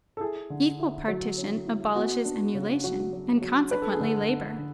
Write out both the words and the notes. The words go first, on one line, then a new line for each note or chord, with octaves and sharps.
Equal partition abolishes emulation; and consequently labor.
A4
E4 G#4
D3
E4
F#3
C#4
E4
B3 F#4
D4
C#3
F#3 F#4
F#3
F#3
D4 B4
A4
G#4
D3 A4
D4
D3